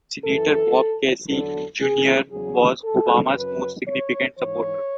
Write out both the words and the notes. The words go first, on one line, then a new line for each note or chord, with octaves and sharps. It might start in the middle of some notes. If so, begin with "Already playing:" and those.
Senator Bob Casey, Junior was Obama's most significant supporter.
F#2 E3 A4
E2 D3 F#3 A4
G#4
E2 C#3 F#3 G#4
A4
F#2 C#3 F#3 B4
C#5
G#2 E3 C#5